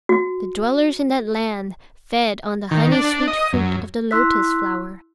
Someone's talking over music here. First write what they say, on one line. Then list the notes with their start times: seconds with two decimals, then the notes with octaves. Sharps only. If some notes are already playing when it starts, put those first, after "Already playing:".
The dwellers in that land fed on the honey-sweet fruit of the lotus flower.
0.09 F#4
2.71 D#3
2.92 D4
3.27 D#5
3.53 F#2
4.11 E4 C6 E6 F#6 B6